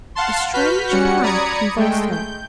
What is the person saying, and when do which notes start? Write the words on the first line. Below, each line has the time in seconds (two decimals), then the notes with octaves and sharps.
A strange pang convulsed her.
0.15 F5 F#5 A5 C6
0.53 F#4 B4 F6 G6 B6
0.88 G3 C#4 F#4 F#5 C#7
1.22 D5 A#5 B5 D#6 G#6 C#7
1.77 G#3 A3 G5
2.12 G6